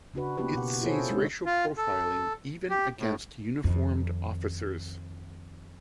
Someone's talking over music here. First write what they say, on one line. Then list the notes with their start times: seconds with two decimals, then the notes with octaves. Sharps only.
It sees racial profiling even against uniformed officers.
0.14 C#3 D4 F#4 B4
0.38 A#3 B3 C#4 E4 G4 B4
0.55 B2 F#5
0.82 E4 F4 G#4 A4 C5 C#5
1.10 G#3 C#4 D#4
1.46 F4
1.77 A4
2.70 G4
2.99 A2
3.64 F2 D#3